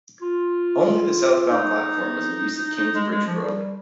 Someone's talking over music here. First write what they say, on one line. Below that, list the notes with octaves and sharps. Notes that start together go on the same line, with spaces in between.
Only the southbound platform was in use at Kingsbridge Road.
F4
D#4
D#4
G#3
G#3
F3
G3